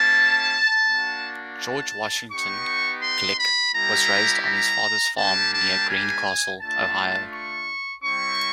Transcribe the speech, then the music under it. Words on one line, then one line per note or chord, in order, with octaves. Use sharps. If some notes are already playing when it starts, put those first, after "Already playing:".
George Washington Glick was raised on his father's farm near Greencastle, Ohio.
Already playing: A#3 C#4 E4 A5
A#3 D4 F#4
A5
B3 D#4 G4 C#6
C6
B5
G3 B3 E4 G4 A#5
A#5
G3 A#3 D4 G4 A5
A5
G#5
A3 D4 F4 A5
C#6
G3 C4 E4 C#6